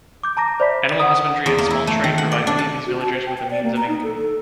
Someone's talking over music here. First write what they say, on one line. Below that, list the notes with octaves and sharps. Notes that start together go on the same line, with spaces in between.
Animal husbandry and small-trade provide many of these villagers with a means of income.
D6 G6
A5 A#5 D6 A#6
C5 D5 E5 B5 B6
F#5 D#6
E2
A#3
E4
A3
D#3
F#5
D5
D4
A5
F#4
A5
C5
G5
G5
D5
A#3
A#5
D#4
A4
A4